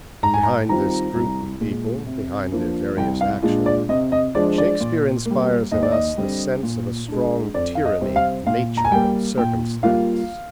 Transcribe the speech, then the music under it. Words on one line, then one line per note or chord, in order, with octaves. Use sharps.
Behind this group of people, behind their various action, Shakespeare inspires in us the sense of a strong tyranny of nature and circumstance.
G#2 A#5
G#5
A#5
D#3 G3 C4 F4 A#5
C2
A#2 G#3
C3
F3 A#3 D4 F4
C2 G5
F5
A#2 G#3 D4 F4
D5
C3 D#5
D#5
F3 G#3 D4 D5
D5
A#2
A#3
G3
D#2 D#5
D5
D#5
D3 G3 C4
A#2
G#3 D4
F2 D5
F5
D#5
C3 G3 C4
F5
A#2 F5
A#5
G#5
G3 A#3 G5
A#2 G5
G3 A#3 F4 F5